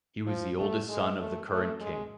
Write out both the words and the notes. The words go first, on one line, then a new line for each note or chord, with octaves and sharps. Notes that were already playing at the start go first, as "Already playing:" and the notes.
He was the oldest son of the current king.
F3
A3
G#3
A3
A3
G#3